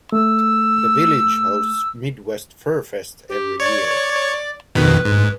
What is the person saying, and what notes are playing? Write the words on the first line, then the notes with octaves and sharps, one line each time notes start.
The village hosts Midwest FurFest every year.
A3 E6
G4
C#5 D5
F2 B2 D#3 B4
G#2